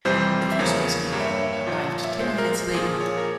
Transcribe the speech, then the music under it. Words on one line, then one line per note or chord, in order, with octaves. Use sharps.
The first rescue crew arrived ten minutes later.
F2 C3 E3 G3 C5
E5
E2 C#3 F3 A#3 C#5
G2 G3 A#3 C#5
E5
C#5
E5
C#5
A#2 F3 A#3
E5
C#5
A#2 G#3 C5
A#4
A#4
A#2 F3 A#3 G#4
C#5
A#4